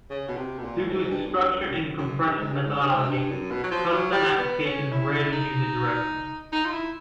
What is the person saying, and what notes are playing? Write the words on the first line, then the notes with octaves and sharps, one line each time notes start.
Due to its structure and compression methodology, custom applications rarely use it directly.
C#3
B2
C3
B2
A#2
A2
G#2
G2
F#2
G2
F#2
G2
F#2
F#2
G2
G#2
G2
G#2
G2
G#2
G2
F#2
B2
F#3
F3
F#3
G3
B3
C#4
E4
D#4
D#4
F4
E4